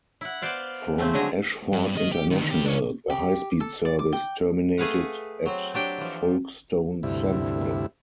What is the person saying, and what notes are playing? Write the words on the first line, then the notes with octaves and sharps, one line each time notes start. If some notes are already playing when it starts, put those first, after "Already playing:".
From Ashford International, the High Speed service terminated at Folkestone Central.
E4 F#5
B3 C5 D5 F5
C#3 F3 A3 C4
D3 F#3 G#3 D#5 G#5 A#5
G2
D#3 D#5
G4
D2 D#3
D#2 G4
D4 C#5
G4
A4
D5
D6
G5
A3 G#4 B4 F5 F#5
F#3 C4
F#3 D4 G4 G5
E3 F3
D2 G2 C3 E4